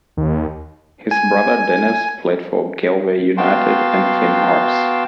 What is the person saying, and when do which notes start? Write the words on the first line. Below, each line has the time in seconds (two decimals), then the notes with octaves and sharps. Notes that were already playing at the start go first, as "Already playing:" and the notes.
His brother Denis played for Galway United and Finn Harps.
0.17 D#2
1.11 G#5
3.37 B3 F#4 F5 G5 A5 C6